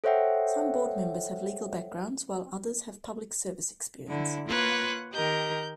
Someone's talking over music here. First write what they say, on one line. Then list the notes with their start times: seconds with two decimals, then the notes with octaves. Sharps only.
Some board members have legal backgrounds while others have public service experience.
0.04 A4 C5 C#5 E5 F#5 G5
4.08 D3 E4
4.49 A#3 F4 B4 C#5 F#5 F#6
5.13 D#3 G4 A#4 D#5 G6